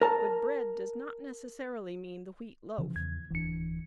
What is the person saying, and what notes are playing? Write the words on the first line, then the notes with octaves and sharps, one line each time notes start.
But "bread" does not necessarily mean the wheat loaf.
A#4 A5
C#3 E3 F3
E2 G#6
D1 E3 D4 C#7